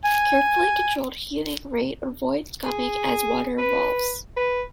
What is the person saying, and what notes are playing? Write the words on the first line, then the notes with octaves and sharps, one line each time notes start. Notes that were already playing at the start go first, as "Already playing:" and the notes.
Carefully controlled heating rate avoids gumming as water evolves.
G#5
G#4
B4
B4